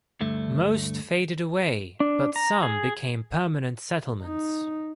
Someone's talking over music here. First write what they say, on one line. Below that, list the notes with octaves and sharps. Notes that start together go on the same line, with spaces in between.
Most faded away but some became permanent settlements.
D2 G2 A3
D4
A#5
G#4
D#4